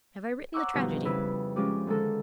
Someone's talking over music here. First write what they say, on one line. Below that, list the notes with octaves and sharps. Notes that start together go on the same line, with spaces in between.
Have I written the tragedy?
C#5 F#5 A#5 C#6 D6 E6
G2 B2 D#3 F3 D#4
F2 C#3 G3 E4 B4 E6
F3 G#3 C#4 F4 G4 D5
D3 D#3 G#3 A4